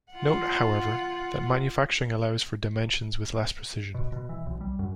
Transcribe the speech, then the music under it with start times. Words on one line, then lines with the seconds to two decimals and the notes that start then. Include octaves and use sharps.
Note, however, that manufacturing allows for dimensions with less precision.
0.12 F4 F#5
3.94 B2
4.12 B2
4.29 E3
4.46 B1
4.61 G3
4.79 F#2